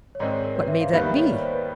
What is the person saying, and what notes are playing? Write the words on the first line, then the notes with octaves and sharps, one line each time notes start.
What may that be?
C#5
G#2 D#3 G#3 C4 D5
C#5
A#4
B4
E5
F5
D#2 D#3 G3 B3 F5
E5
C#5
D5
C5
B4